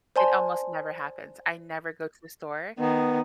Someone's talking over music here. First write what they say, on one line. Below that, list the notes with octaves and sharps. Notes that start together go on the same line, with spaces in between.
It almost never happens; I never go to the store
C5 D5 G#5 A5 C6
D#3 B3